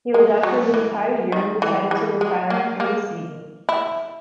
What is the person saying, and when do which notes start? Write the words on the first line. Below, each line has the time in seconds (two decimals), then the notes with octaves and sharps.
He was out for the entire year and decided to retire after the season.
0.14 G#3
0.43 F#3
0.74 E3
1.32 D#3
1.62 E3
1.91 E3
2.21 G#3
2.50 A#3
2.80 A#3
3.69 E4